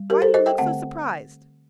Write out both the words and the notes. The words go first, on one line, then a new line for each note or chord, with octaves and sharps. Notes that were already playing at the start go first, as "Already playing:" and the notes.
Why do you look so surprised?
Already playing: G3
G4 A#4
A4 C5
C5 D#5
D#5 G5
D3 A3 C4 F#5 A5